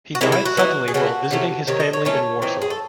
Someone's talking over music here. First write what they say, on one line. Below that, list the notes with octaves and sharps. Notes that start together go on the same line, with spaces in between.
He died suddenly while visiting his family in Warsaw.
F#4
C3 D#3 G#3 E4
E4
F#4
E3 C4 D#4
G#4
C#3 E3 A3 F#4
C3 F#3 A3 C#4
C3 D#3 C#5
D#5
C#5
D#3 A3 C#4 C#5
E3 C4 D#4
G#4
A4